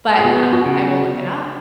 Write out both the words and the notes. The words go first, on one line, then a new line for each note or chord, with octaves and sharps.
But, um, I will look it up.
G#4
B3 F#4
F#4
C#3